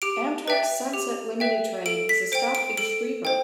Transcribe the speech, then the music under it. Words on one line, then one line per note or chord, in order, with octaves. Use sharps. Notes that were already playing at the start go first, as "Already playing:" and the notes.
Amtrak's Sunset Limited train has a stop in Schriever.
G4 D7
B4 E5 G5
G4
B4 E5 G5
A4 D7
B6
C5 G5 D7
D7
A4 D7
C5 G5